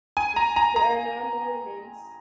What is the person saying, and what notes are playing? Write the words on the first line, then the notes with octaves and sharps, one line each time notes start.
There are now no remains.
G#5
A#5
A#5
A#5